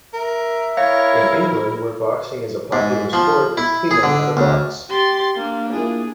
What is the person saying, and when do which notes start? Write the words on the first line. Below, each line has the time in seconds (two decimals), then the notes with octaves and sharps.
In England, where boxing is a popular sport, he learned how to box.
0.14 A#4 E5
0.77 E4 A#4 C#5 F5
2.72 G#2
3.13 F3
3.57 E4
3.91 G#4
4.03 D3
4.37 D2
4.90 G4 C6 A6
5.36 A#3 D4
5.73 A#3 E4 F4 G#4